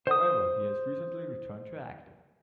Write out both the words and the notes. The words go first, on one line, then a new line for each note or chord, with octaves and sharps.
However, he has recently returned to acting.
C5 D#6